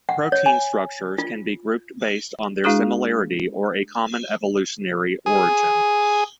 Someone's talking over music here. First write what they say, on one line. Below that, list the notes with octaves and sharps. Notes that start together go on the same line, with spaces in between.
Protein structures can be grouped based on their similarity or a common evolutionary origin.
F#5
C#5
G#5
F4
G#3 D4 E4 F#4 G#4
G#4